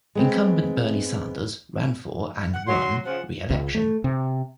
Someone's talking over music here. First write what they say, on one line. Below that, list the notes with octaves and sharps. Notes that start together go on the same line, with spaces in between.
Incumbent Bernie Sanders ran for and won re-election.
G#3 B3 C4
F#5
F#3 C6
C#3 F3 F#5
C#2
A3
C3